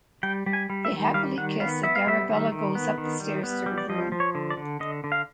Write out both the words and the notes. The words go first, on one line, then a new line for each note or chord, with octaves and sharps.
They happily kiss and Arabella goes up the stairs to her room.
G3 G5
G3
G#5
G3
E5
D#3
G3 F5
D#3 F#5
B3 F5
B3 E5
F5
G3 E5
D#3
D#3
B3
D#3
G3
B3
G3
D5
F3 D#5
F3
C#5
D3
D5
D3
D3 D#5
D3
F5